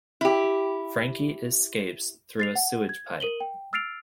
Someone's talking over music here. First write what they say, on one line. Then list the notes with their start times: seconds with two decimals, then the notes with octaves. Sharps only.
Frankie escapes through a sewage pipe.
0.21 E4 G4
2.40 A6 C7 F7
2.56 F#5
2.89 G#6
3.20 A#4 D#7 F#7 G7
3.40 G5
3.73 E6 F6 A6 C7 D7 F7